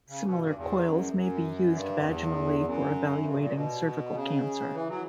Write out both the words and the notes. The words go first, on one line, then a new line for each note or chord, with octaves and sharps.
Similar coils may be used vaginally for evaluating cervical cancer.
C#3
B2
G2
E2
F#2
F#2
G2
F#2
E2
F#2
G2
B2
A#2
B2
C#3
E3
F#3